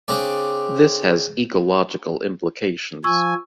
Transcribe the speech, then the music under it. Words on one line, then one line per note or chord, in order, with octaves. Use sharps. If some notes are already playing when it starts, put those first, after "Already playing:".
This has ecological implications.
C#3 C4 D4 D5
F3 G#5 C#6 E6